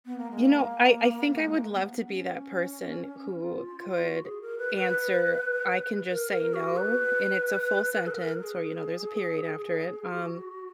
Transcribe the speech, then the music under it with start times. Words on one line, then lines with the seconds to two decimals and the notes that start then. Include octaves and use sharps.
You know, I I think I would love to be that person who could answer I can just say, "No," and it's a full sentence, or you know, there's a period after it, um
0.06 B3
0.18 A#3
0.31 G#3
0.43 A#3
1.40 G#3
1.57 A#3
1.73 B3
2.07 C#4
3.41 F4
4.08 F#4
4.25 G#4
4.42 A#4
4.58 B4
4.75 B4
6.09 A#4
6.32 A#4
6.54 F#4
6.77 B4
8.07 G#4
8.11 A#4
8.44 G#4
10.12 F#4